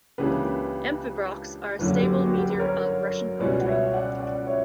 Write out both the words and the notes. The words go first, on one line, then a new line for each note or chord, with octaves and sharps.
Amphibrachs are a staple meter of Russian poetry.
C#2 C#3 E3 A#3 D4 G4 B4
G1 F#2 D3 F#3 A#3 B4
C#5
G4 B4
F#4
G4
A#4
B4
A#4 C#5
C#2 B2 G3 C#4 F#4 B4 D5
F#5
C#5 E5
D5 F#5
D5 F#5
C#5 E5